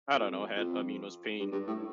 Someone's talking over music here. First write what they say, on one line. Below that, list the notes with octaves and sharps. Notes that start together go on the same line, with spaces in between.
I don't know, had, I mean, I was paying
F2
F2
G2
G2
A2